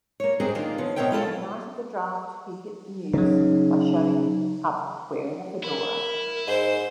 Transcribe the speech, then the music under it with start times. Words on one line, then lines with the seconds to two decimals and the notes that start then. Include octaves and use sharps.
On the night of the draft, he hit the news by showing up wearing a fedora.
0.20 A#3 C#5
0.40 G#2 C4 D4 G4 G#4 A#4
0.55 D#3 A#3 D4 F4
0.78 C#3 F3 B3
0.96 B2 C4 A#4 C#5 E5 G5
1.11 G#3 E4 F4 A4
3.14 C#3 F#3 D#4
5.63 E4 A#4
6.47 G#2 C5